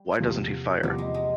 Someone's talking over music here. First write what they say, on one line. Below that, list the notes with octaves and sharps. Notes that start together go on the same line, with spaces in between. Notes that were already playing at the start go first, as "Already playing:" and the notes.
Why doesn't he fire?
Already playing: G3
E2 C3 F3 A#3
E2 C3 F3 G3 A#3
G#3
G#3